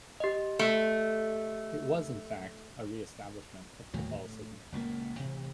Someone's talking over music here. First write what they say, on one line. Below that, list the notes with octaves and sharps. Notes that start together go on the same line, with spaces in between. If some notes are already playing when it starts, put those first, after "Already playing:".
It was in fact a re-establishment of Catholicism.
G4 D#5
A3
G1 D#2 A2 F#3
A2
F#1 C#2 A#2 A#3
A1 C3